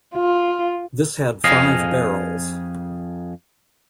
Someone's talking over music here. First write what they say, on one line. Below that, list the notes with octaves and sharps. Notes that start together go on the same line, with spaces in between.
This had five barrels.
F4
F2 G#4 D#5 F5